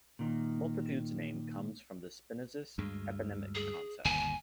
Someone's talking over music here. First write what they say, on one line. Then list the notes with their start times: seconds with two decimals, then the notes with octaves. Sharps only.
"Multitudes's" name comes from the Spinozist eponymic concept.
0.19 A#2 D#3
2.78 D2 G2 G#3
3.55 G#4
4.05 G1 D#2 B2 G#5